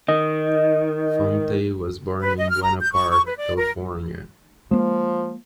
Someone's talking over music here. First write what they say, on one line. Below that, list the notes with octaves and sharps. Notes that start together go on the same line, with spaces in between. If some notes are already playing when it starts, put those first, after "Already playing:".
Fonte was born in Buena Park, California.
D#3 D#5
B4
D#5
F6
A#5
G6
C#6
C#6
B4
D5
A#4
F3 G#3 A#3